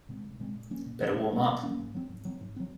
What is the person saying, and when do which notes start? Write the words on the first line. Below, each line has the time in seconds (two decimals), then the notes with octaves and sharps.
Better warm up.
0.09 A#2 G#3 C4
0.24 C2
0.40 A#2 G#3 C4
0.56 A#2
0.70 F#3 A#3 C#4
0.86 A#2
1.02 F#3 A#3 C#4
1.16 A#2
1.32 F#3 A#3 C#4
1.48 A#2
1.63 F#3 A#3 C#4
1.79 G#2
1.94 F#3 C4
2.09 G#2
2.25 F#3 C4
2.41 G#2
2.56 F#3 C4